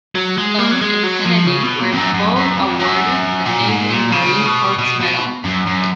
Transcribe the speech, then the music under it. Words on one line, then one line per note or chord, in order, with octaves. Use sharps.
Thom and Kennedy were both awarded the Navy and Marine Corps Medal.
F#3
G#3
A#3
F#3
G#3
F#3
F3
C#3
B2
A#2
F2
F#2
F#2
F#2
F2
F#2
A#2
G#2
A#2
C#3
B2
B2
B2
F#2
F#2